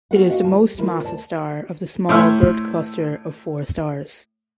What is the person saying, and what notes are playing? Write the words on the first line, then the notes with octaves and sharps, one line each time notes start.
It is the most massive star of the small birth cluster of four stars.
B3 C#4 F#4 A#4 B4 F#5
F#4 D5 D#5 F5 G5
D2 F3 G3 A5
G4
E3 F3 D4 E4 A#4 B4
D2 A#4 D5 A5
A2 C5 C#5 E5 F6